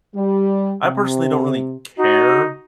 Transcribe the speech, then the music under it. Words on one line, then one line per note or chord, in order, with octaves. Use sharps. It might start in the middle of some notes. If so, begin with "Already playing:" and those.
I personally don't really care
G3
C3
D#4 F#4